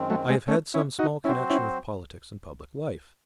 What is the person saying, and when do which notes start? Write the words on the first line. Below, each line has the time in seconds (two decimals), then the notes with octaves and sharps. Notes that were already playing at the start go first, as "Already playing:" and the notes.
I have had some small connection with politics and public life.
Already playing: F#2 D#3 G#3 C4
0.10 F#3 A3
0.29 G#3 C4
0.48 A3 C#4
0.74 C#4 E4
0.99 D#4 F#4
1.24 F#3 C4 C#4 E4 F#4 C5
1.50 C#4 E4